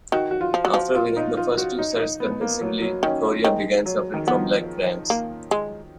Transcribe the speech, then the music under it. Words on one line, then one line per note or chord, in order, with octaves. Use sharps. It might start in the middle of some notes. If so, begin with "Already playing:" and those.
After winning the first two sets convincingly, Coria began suffering from leg cramps.
D#3 F#4
F#4
F4
F3
F#3 F#4
F3
F4
D#4
F4
F#4
D#4
D#4
B3
A#3
F#3
F#3
D#3 C#4
F4
D#3 G#3
F#3
D#3
F3 B3
A#3
G#3